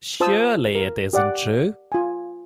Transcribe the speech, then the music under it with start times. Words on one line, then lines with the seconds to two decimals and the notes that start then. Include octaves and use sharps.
Surely it isn't true?
0.20 F4 C5 A5 D#6 E6
0.75 A#4
1.13 G4 D5 F#5
1.92 F4 G#5